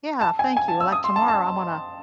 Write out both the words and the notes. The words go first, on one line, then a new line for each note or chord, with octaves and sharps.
Yeah, thank you, like tomorrow, I'm gonna
A5
G#5
G#5
A5
E6
D#6
C6
A5
A5